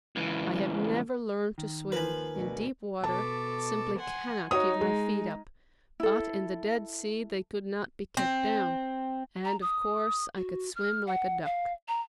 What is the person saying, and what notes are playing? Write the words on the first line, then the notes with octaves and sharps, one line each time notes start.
I have never learned to swim; in deep water simply cannot keep my feet up, but in the Dead Sea they could not be kept down, and of course I could swim like a duck.
C#2 E3
D#3
D#2 F3 A#4 B4 G#5 B5
D2 B2
B2 A4 A5 D6
F#5 G#5 C6
D#4 F#4 C#5 D#6
G#3
E4 A4
C4
A#5
D#6
F#4
F6
F#5
F5
A#5